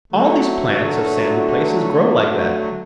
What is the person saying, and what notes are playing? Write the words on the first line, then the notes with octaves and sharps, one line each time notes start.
All these plants of sandy places grow like that.
D3 F#3 A3